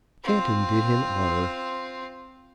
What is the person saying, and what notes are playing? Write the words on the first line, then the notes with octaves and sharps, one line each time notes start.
Canton did him honor.
C4 F4